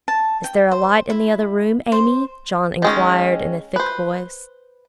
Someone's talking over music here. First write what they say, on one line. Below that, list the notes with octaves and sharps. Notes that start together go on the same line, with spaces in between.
'Is there a light in the other room, Amy?' John inquired in a thick voice.
A5
G5
C5
E4
C5
D#3 G#3 C#4
B4 C5